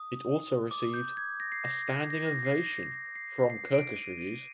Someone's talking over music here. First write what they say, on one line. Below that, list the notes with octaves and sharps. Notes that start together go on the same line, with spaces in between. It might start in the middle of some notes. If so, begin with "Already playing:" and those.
It also received "a standing ovation" from "Kirkus Reviews".
Already playing: D#6
D6
G6
G#6
A#6
C7
A#6
A#6
A#6
C7
A#6
C7
C7
D7
D#7
D#7